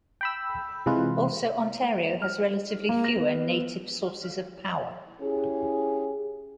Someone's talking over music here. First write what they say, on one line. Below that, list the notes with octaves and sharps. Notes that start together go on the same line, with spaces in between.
Also, Ontario has relatively fewer native sources of power.
G5 B5 E6
C3 E3 G#3 F4 B4
F6
A#3
A#6
B3
C#4 E4 G4 G#4